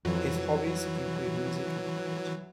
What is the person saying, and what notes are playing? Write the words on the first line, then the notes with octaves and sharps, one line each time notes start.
His hobbies include music and cricket.
F2 E3 F#3